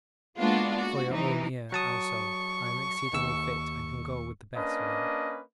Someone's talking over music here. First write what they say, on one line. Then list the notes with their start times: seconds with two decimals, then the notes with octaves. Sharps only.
'For your own ear also, I am exceedingly fit and can go with the best of them.
0.38 G#3 A#3 B3 D4 F4 F#4
0.77 F#4
1.11 E3 D#4
1.72 F#3 A5 C#6 D#6
3.13 D#2 E6
4.56 A#3 C#4 D4 B4 D#5